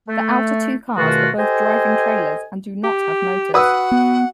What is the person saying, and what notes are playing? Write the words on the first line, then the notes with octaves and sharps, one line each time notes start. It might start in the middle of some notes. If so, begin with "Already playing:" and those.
The outer two cars are both driving trailers and do not have motors.
A3
E2 B2 D#3 A3 F4 F#4
G4 A4 C5 D#5 G#5
G4
F#4 B4 F#5 D#6 E6
B3